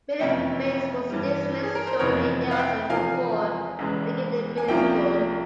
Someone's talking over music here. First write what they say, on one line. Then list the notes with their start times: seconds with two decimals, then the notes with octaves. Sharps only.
Billy Bates was dismissed shortly thereafter for four, bringing in Billy Gunn.
0.20 F1 F2 E3 A#3 C#4 E5 G5
1.09 G2 E3 G3
1.63 G#4
1.75 A#4
1.87 C5
1.99 F1 F2 E3 A#4 C#5
2.51 F5
2.59 E5 G5
2.89 E2 C3 F3 C4 F5 G#5
3.79 E1 E2 C#3 E3 G#3
4.58 G#5
4.68 C2 C3 F3 A#3 C#4 E5 G5